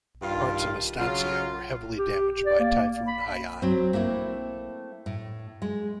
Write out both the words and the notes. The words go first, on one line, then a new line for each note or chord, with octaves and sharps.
Parts of Estancia were heavily damaged by Typhoon Haiyan.
G2 D#3 F4
C#3 F#3 F4
G4
D5
A#3
B5
F#3 C4
A3 A#3 C4 E4
A2
G#3